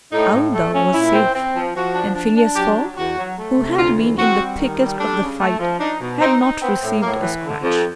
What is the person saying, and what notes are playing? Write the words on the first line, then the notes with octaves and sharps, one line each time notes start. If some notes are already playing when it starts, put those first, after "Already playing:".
Aouda was safe; and Phileas Fogg, who had been in the thickest of the fight, had not received a scratch.
A2 D#4
A2
A3
C#4
A#2 E4
C4
C4
F3
F3 F#4
D4
D4
D4
F#3 G4
F#3
E2 F#4
F#3
A3
C3
D2 F4
E3
C4 F#4
G3
D#3
G3
A3 D4
C#3
A3
F3
D4 D#4
B2
C4 D#4
D#4
B3 C4
A2
A2 A#3
E3
D3
F2